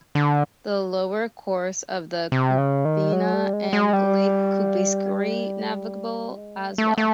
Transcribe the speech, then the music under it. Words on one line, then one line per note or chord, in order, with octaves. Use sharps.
The lower course of the Kubena and Lake Kubenskoyeare navigable as well.
D3
C3
C#3
D#3
F#3
G3
G#3
G#3
G3
G#3
A3
A3
A3